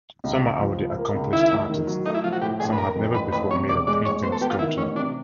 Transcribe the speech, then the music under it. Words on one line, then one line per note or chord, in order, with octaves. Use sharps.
Some are already accomplished artists; some have never before made a painting or sculpture.
C#2
C#2
F3
F3
A#3
C#2
D#3 E4
A1
D#3
F#3
A3 D#4
E4
F3 F4
F#4
A2 G4
A#1 G#4
B4
A#3 A#4
F2
A1 B4
A1 B4
C3 C#5
E1 D5
G#3 D5
A1 C#5
B3 C5
A4
B3 G4
F4
D#3 E4
A1 C#4
C3 D4